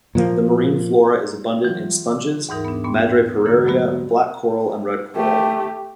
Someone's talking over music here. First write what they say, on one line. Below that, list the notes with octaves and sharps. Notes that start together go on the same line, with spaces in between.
The marine flora is abundant in sponges, madreporaria, black coral and red coral.
A#2 F3 A#3
E3 F#3 F4
D#2 G#2 E3 D#4 A#4
B3 D4
A#2 B3 G5 C6
D3 E3 G#3 A#3
F#3 A3 B3 F#4 G4
A3 G4